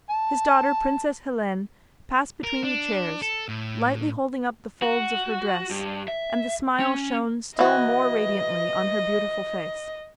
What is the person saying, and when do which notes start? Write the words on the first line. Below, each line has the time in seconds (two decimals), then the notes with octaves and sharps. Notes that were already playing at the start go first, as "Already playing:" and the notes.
His daughter, Princess Helene, passed between the chairs, lightly holding up the folds of her dress, and the smile shone still more radiantly on her beautiful face.
0.10 A5
2.44 A#4
2.64 D4
3.22 A4
3.48 A2
4.82 F#4
5.71 G2
6.08 E5
6.79 C#4
7.59 E3 F#4 D#5